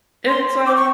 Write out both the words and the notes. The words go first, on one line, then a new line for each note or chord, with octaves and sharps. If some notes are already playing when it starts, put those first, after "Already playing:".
it's, uh
C6
D6
C#6